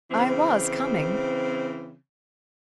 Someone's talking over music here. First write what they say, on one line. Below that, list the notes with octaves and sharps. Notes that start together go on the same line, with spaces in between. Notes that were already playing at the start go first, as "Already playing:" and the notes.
"I was coming."
C#3 E3 C4